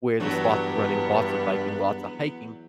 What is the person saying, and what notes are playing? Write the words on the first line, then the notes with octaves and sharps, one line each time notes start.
where there's lots of running, lots of biking, lots of hiking,
E2 G2 F#3 B3 D4